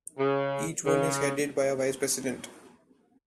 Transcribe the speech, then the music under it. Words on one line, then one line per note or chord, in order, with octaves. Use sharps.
Each one is headed by a vice president.
C#3
C#3